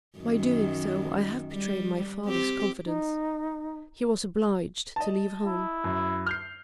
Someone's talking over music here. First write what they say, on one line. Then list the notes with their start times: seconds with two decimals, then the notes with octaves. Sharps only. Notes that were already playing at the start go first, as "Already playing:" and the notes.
By doing so I have betrayed my father's confidence--he was obliged to leave home.
0.19 F#2 D#3
1.53 G3
2.25 C4 G4
2.85 D#4
4.96 D#5 A5
5.47 E4
5.84 F#2
6.26 F6 G6 C7